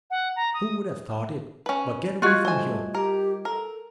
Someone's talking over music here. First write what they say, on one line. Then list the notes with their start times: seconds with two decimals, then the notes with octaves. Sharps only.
Who would have thought it? But get away from here!
0.10 F#5
0.36 A#5
0.54 D#6
1.66 C#4 B4
2.22 G3 F4 F#4 D#5 G#6
2.45 A3 C5 G#5
2.94 G4 A#4
3.45 A4 A#4